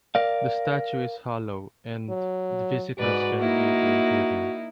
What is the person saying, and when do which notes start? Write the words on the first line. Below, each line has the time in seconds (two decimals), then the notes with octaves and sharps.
The statue is hollow, and visitors can view the interior.
0.15 A#4 D5 F5
2.09 F#3
2.98 G#2 F#4 B4 D5
3.38 A#3 D#4 E4